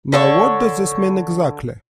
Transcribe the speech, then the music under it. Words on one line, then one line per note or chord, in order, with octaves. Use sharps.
Now what does this mean exactly?
D3 A4 C#5